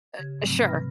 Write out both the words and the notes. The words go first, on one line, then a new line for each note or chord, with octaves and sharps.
Eh sure.
C#3 G4 G#6
G#2 C3 F3 F#3 A3 C4
C3 B4 B5 F6 A#6